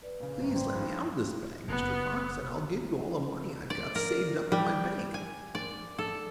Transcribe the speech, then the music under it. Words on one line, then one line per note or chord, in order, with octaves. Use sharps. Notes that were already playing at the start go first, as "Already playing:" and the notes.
Please let me out of this bag, Mr. Fox, and I'll give you all the money I've got saved up in my bank!
B4 D5
A#2 C#3
G#1 F#2
C5 G5 C6
G2 D#3 F3
F#1 B3
D5
A#4
G3
G#5
D5
A4